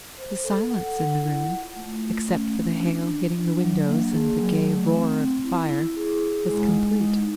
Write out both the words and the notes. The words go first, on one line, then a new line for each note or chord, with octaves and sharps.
The silence in the room, except for the hail hitting the windows and the gay roar of the fire, was complete.
C5
A4
F#5
F#5
E4
F4
A3
A3
C#4
D4
D4
D4
D4
F#3
A#3
G#4
F#3
A3
C4
C4
E4
E4
G#4
E4
G#3
D#4
D#4